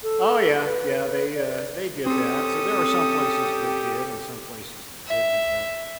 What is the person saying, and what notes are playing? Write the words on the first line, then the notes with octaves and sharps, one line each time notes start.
Oh, yeah, yeah, they, uh, they did that, there were some places that did, and some places that didn't. Uh,
A4
B4
D5
C4 C#4 G4 A4 D#6
E5